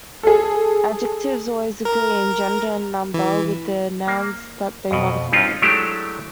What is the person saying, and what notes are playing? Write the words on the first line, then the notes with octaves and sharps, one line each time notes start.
Adjectives always agree in gender and number with the nouns that they modify.
G#4 A4
A#4
E3
A#3
F2 B2
C4 C#4 D#4 F4
F#3 G#3 A3 D4 E4 G4